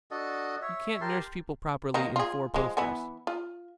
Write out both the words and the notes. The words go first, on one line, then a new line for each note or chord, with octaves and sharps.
You can't nurse people properly in four-posters.
D4 F#4 A4 D#5
C#5 E5
G4 A#4 A5 C6
D#3 A#3 D#4
F4 G#4
F3 G#3
E3 B3 G#5
F4